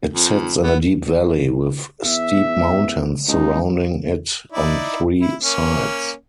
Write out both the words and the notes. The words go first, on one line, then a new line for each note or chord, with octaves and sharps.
It sits in a deep valley, with steep mountains surrounding it on three sides.
F2
B3
E2 E5
C#2 D#4
D#4 E4 D5
E4
A#3 C#4